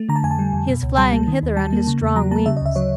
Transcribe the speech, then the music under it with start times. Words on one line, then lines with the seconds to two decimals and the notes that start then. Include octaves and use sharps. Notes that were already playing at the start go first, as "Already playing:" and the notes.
"He is flying hither on his strong wings."
Already playing: A3
0.09 D3 A#5
0.16 A5
0.23 F2 G#5
0.31 A5
0.39 G3
0.53 F2
0.68 B2
0.83 C#2
0.97 G3 A5
1.13 A#3
1.27 D#3
1.43 D#2
1.57 G3 A5
1.73 A#3
1.87 C#3
2.02 E2
2.16 F#3 A#5
2.31 A#3 A5
2.46 C#3 E5
2.57 D#5
2.62 D2 E5
2.76 F#3 C#5